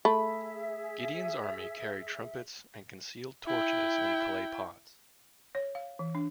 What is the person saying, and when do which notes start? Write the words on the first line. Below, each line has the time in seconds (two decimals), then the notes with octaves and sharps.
Gideon's army carried trumpets and concealed torches in clay pots.
0.05 A3 G#4 E5 B5
3.46 E4 G5
5.55 C#5
5.75 F5
5.99 E3
6.15 D4